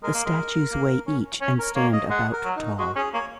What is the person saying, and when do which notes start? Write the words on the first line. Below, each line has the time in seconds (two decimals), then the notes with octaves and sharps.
The statues weigh each and stand about tall.
0.03 G#3 A#4
0.14 A#3
0.25 G#3
0.72 A#3
1.07 C#4
1.41 C#4 C#5
1.59 A#4
1.76 A#3 C#5
1.93 D#5
2.10 G#3 F#5
2.33 A#4
2.45 F#3
2.57 D#4
2.79 G#3 F#4
2.96 C#4 G#4
3.13 A#3 C#5